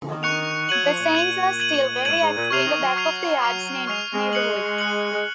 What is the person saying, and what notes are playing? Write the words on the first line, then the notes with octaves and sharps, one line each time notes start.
The Saints are still very active in the Back of the Yards neighborhood.
D#3
C#6 F#6 C#7 F7
F#3 G#6 D#7 F#7
F3
A#2
G#6 D#7 F#7
G#6 D#7 F#7
G#2 G#6 D#7 F#7
G#2
A#2
C3 C#6 F6 C7 F7
D#3
F#3
C#6 F6 C7 F7
C#6 F6 C7 F7
G#3 C#6 F6 C7 F7
G#3
F#6 C#7 F#7
F#6 C#7 F#7
G#3